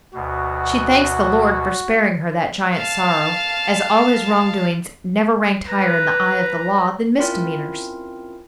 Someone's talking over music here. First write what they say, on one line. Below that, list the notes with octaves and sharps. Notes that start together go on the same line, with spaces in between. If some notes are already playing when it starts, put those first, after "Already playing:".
She thanks the Lord for sparing her that giant sorrow, as all his wrong doings never ranked higher, in the eye of the law, than misdemeanors.
D2 B2 F#4
F5 A5
B4 A#5
C4 C#4 E4 F4 A#4